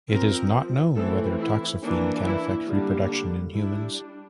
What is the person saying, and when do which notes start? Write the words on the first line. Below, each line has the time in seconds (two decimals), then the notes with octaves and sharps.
It is not known whether toxaphene can affect reproduction in humans.
0.10 F3 C4 A#4
0.96 E3 A3 C4 A4
1.39 E4
1.82 E3 A#3 D4
2.25 E4
2.67 D3 G3 A#3 D4
3.11 D4
3.54 G3 D4 E4